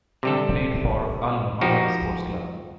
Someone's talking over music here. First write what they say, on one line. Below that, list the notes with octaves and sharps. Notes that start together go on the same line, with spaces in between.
He played for Al-Muharraq Sports Club.
C3 G3 A4
F3 D#4 F#4 G4